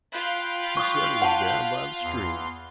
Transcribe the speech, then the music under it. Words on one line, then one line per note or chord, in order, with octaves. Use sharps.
He said it was down by the stream.
F4 F5 G5 B5 F#6
C#6 D#6
F#5 A5
E2 C6